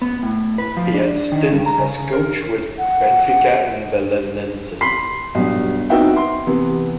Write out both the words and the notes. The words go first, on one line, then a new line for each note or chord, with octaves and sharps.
He had stints as coach with Benfica and Belenenses.
B3
A2
B4
F3
D4
D#3
G2
A#5
C#3
A#4
F#5
B5 C6 B6 C7
B1 G2
B3 C4 D#4 F#4 E5 G5
C6
C3 E3 B3